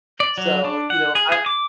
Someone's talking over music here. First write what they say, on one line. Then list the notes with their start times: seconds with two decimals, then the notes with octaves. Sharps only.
So, you know, I
0.20 D5
0.38 F#3
0.64 D4
0.90 F#5
1.15 G#4
1.32 G#4
1.46 D6